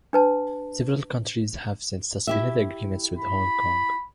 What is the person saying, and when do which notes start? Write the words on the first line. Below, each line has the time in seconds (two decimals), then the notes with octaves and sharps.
Several countries have since suspended the agreements with Hong Kong.
0.13 D4 B4 A5
2.27 E4 G4 E5
3.19 B5